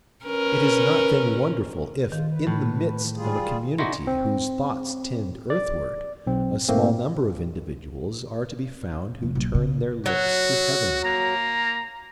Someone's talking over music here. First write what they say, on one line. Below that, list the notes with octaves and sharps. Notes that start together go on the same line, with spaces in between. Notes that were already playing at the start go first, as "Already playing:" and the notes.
It is not then wonderful if, in the midst of a community whose thoughts tend earthward, a small number of individuals are to be found who turn their looks to heaven.
C#4 A#4 B4
D#3 F4
B4
A2
G3 F4 G#4
D#4 E4 F#4 D5 G#5 C6
C4
D5
B1 C4
G#2 A3 A#3 C4
F1
B1 A#2
C#3
F#3 F#4
A#3 A#5